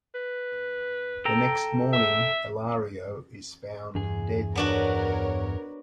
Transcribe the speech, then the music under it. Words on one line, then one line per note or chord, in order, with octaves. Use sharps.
The next morning Ilario is found dead there.
B4
A4 G5 A#5
E5
E2 G2 G#4
B3 D4 F#4 A#4 C#5